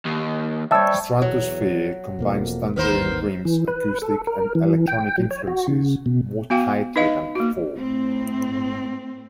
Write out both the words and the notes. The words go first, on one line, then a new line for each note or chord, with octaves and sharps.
"Stratosfear" combines Tangerine Dream's acoustic and electronic influences more tightly than before.
D#2
G3 C5 C#5 E5 A5 E6
E2 F#3
E1 F2 B2 A#3
G#1 D#2 D#3 E3 B3 A#4 C5
E3
B4
A4
A#4
E3
G5
F#3
C#5
F#4
C#3
B2
B3 F#4 F5 G5
D#4 B4 D#5 F5
A#3 F#4
A2 C4